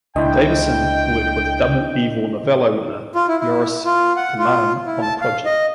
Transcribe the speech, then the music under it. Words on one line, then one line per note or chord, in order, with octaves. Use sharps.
Davison worked with double Ivor Novello winner Joris de Man on the project.
C#2 D4 E4 D#5 G5
F4
E4
E4
F4
F#5
F4
E4
A5
F5
D#5